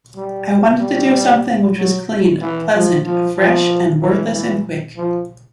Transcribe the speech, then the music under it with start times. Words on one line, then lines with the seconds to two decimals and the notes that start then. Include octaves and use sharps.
I wanted to do something which was clean, pleasant, fresh and wordless and quick.
0.16 G3
0.80 G3
1.77 F#3
2.40 E3
2.73 F3
3.05 F3
3.36 F3
4.01 E3
4.33 E3
4.97 F3